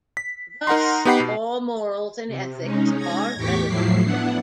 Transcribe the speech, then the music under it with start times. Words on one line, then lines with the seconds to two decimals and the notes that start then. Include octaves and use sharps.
Thus all morals and ethics are relative.
0.17 B6
0.67 D#4 A#4 F#5 A#5 C6
1.05 B3 D#4 G4 F#5 B5 C7
1.20 B2
2.28 C3
2.62 G#3 C#4 D#4
2.96 G#6 A#6
3.35 E2 A2 G4 C#6 D6 B6
3.68 A2 F3 F#3 E4 C7
4.03 B3 D4 E4 F#5